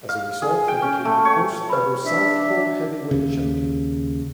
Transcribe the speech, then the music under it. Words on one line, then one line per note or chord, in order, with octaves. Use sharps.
As a result, he became the first-ever southpaw heavyweight champion.
F5
G#4
G5
C#4
A3
C#5
B4 B5
D4 E5
D#2 C#3